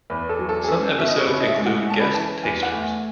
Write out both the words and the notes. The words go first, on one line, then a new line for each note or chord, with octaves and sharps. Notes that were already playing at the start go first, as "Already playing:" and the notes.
Some episodes include guest tasters.
E2 B4
A4
F#3
A4
G#4
C#4 A4
B2 E5
D#5
C#5
C#3 B4
D#5
E5
G#3
F#5
C#4 A5
B5
E3 A5
E2 G#5
F#5
A3
G#5